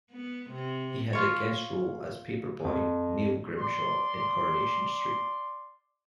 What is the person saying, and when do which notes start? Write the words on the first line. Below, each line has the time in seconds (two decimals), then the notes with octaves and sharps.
He had a guest role as paperboy Neil Grimshaw in "Coronation Street".
0.12 B3
0.50 C3
1.13 F4 C#5
2.65 F2
3.58 D5 C6